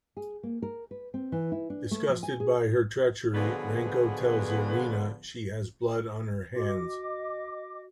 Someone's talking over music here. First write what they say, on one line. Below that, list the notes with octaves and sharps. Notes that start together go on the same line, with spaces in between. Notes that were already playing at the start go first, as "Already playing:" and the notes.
Disgusted by her treachery, Renko tells Irina she has blood on her hands.
G#4
A#3
A#4
B4
C4
E3
E4
D4
A3
F3
G#5
G#4
B2 D3 F3 B3 G#4 B4
F#4 D#5 D6